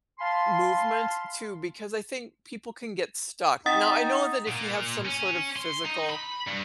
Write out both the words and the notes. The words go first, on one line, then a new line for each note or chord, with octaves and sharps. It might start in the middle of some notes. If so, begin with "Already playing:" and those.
movement too, because I think people can get stuck, now, I know that if you have some sort of physical
F5 G#5 A5 B5 C6
C4 D#4 F#5 D#6 A6
A#2
C#4
C6
D#4
B5
G2